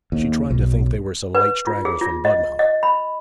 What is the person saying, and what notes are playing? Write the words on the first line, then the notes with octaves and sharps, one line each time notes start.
She tried to think they were some late stragglers from Budmouth.
D#2
B1
B4
F4
G#4
F4
D#5
D#5
B5